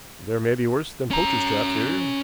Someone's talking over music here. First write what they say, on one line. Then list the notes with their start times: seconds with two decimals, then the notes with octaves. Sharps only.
"There may be worse than poachers' traps here."
1.11 C#4 A#5